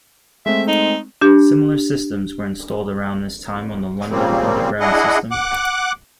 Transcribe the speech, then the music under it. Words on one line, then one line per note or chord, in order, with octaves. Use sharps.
Similar systems were installed around this time on the London Underground system.
G#3 A3 C4 E5
D#4
D4 G4
A#2 C#3 F3 G3 A#3 C4
D4 E4 G#4 D#5 F#5
F#5 D6 F#6